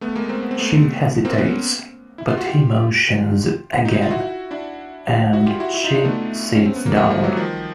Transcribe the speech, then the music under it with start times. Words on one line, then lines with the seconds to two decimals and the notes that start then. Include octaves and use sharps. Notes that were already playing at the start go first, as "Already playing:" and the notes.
She hesitates, but he motions again, and she sits down.
0.01 A3 B3
0.16 G#3 A#3
0.29 A#3 C4
0.43 B3
0.51 C4
0.58 A3 B3
1.25 A#3 C4
1.38 B3 C#4
2.18 E4
2.28 F4
2.37 F#4
2.47 F4 G4
3.85 D#4
3.94 E4
4.02 F4
4.11 E4 F#4
4.51 D4 E4
5.33 E4 F#4
5.46 F4 G4
5.60 E4 F#4
5.74 E4 F#4
5.84 D#4 F4
5.94 D4 E4
6.05 A3 B3
6.55 C#4
6.66 C4
6.76 B3
6.86 A#3
6.96 G3 A3
7.10 F3 G3
7.24 E3 F#3
7.37 D#3 F3